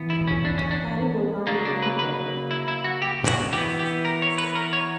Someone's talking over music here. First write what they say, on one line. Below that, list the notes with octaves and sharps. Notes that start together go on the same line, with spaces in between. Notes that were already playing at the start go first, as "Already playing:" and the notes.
Adding a rhyming couplet.
Already playing: E3 B3
E4
C#4
D4
C#4
D4
C#3 F#3 A#3 D4
D4
B4
B4
E4
E4
F#4
G4
F#4
E3 B3 G4
G4
A#4
C#5
B4
A#4
C#5